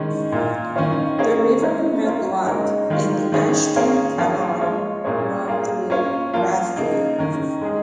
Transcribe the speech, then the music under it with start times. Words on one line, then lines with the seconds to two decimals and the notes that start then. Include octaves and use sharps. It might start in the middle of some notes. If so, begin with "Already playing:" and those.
The River Medlock and the Ashton Canal run through Bradford.
Already playing: D#3 G#3 C#4
0.32 A#2 A#3 F4
0.76 D#3 C#4 F4 C#5
1.18 A#3 C#4 G#4 C#5
1.61 G#3 C#4 A#4 C#5
2.04 A#3 F4 C#5
2.46 C#3 G#3 D#4 A#4 C#5
2.90 D#3 G#3 F4
3.32 D#3 C#4 G#4 C#5
3.75 A#3 C#4 F4 G#4 C#5
4.18 F3 A#3 F4 G#4 C#5
4.61 G#3 F4 C#5
5.04 A#2 A#3 C#4 G#4 C#5
5.48 A#3 F4 G#4
5.90 A#3 C#4 F4 C#5
6.33 F3 A#3 F4
6.76 C#3 A#3 D#4
7.19 D#3 C#4 A#4
7.61 G#3 D#4 G#4